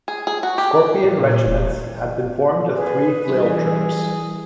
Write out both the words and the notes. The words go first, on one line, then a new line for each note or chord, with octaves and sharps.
Scorpion regiments had been formed of three flail troops.
G#4
G#4
F#4
G4
A#2
E1
G#4 B4
E3 G3 G#4